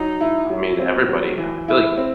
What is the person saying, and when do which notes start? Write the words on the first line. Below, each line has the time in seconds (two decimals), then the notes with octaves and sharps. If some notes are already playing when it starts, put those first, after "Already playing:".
I mean, everybody. I feel like
Already playing: F#3 D#4
0.21 E4
0.50 F#3
0.79 C4
1.09 F#3
1.38 E3
1.68 E4
1.98 C4